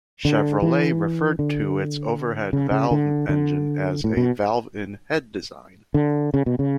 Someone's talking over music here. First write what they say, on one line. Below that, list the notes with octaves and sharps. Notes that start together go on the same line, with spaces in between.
Chevrolet referred to its overhead-valve engine as a "valve-in-head" design.
D3
E3
D3
C#3
C#3
D3
D3
A2
B2
D3
C#3
B2
C#3